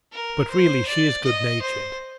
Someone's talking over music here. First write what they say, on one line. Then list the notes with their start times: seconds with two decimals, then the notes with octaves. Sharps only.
But really she is good-natured.
0.12 A#4
0.50 C5
0.87 D5
1.24 D#5
1.62 C5